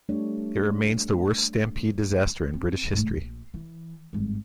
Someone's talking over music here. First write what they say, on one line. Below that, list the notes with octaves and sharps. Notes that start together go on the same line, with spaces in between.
It remains the worst stampede disaster in British history.
G3 A3 D4 A4 C#5
C4
G#2 A3
A#1
E3
G#1 G2